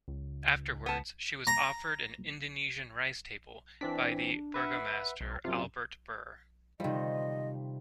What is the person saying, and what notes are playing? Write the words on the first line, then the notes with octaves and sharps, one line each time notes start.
Afterwards she was offered an Indonesian rice table by the burgomaster Albert Burgh.
C#2
B3 A5
A#5
E3 C4 D4 B6
B4 E5 F#5
B1
F#2 C3 F4
C3 D#3 F3 G3 D#5